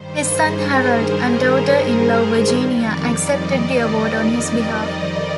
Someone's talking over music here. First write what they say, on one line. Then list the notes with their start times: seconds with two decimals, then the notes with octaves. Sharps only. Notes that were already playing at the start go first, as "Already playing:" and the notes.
His son Harold and daughter-in-law Virginia accepted the award on his behalf.
Already playing: G2 D#3 G3 C5
0.23 G#4
0.56 A#4
1.22 C5
2.55 F2 D#3 G3 D5
3.22 D#5
3.89 D5